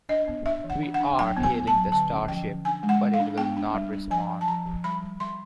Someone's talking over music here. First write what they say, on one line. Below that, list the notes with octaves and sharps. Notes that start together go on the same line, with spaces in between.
We are hailing the starship but it will not respond.
D4 D#5
B3
D4 E5
E3
F#5
D4
F#5
D4
F#3 G5
B3
G#5
B3
A5
F#3
D3 A5
C#4
F3 G5
D3
D4 G#5
G#3
F#5
G#3
F5
D4
B3 G5
D4
G3
D4
F3 G#5
F3
A5
F3 A#5
F3
G3 B5
G3
G3 C6